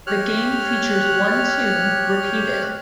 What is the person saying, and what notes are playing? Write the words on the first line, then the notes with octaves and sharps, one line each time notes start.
The game features one tune repeated.
G4 C#5 F6 F#6